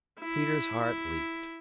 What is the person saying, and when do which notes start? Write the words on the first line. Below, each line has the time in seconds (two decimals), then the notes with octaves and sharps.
Peter's heart leaped.
0.20 E4
0.83 E4